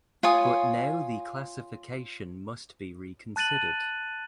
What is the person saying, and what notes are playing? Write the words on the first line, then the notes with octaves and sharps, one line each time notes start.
But now the classification must be reconsidered.
F4 C#5 G#5 D#6
A5 F#6 A6 D#7 F#7